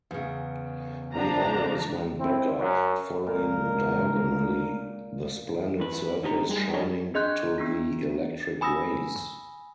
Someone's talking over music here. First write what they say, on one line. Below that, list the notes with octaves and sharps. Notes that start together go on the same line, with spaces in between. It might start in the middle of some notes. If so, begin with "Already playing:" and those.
We always went back up, following diagonally the splendid surface shining to the electric rays.
E2 C#3
F3 D4 A#5
G#3 C4 E4
F#2 C#5
C#2 A#2 A#4
E2 B4
D3 D#4 G4 A#5
G3 G#4
D4 F#4 G#4 A#4 C#5 D#5
D4 G#4 D#5 C6 F#6 G6
B3 D4 F4
G#5 B5 D#6 E6 A#6